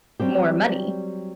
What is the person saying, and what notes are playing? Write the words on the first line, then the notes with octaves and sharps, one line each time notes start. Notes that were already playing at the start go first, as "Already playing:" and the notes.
more money.
F#3 G3 C4 G4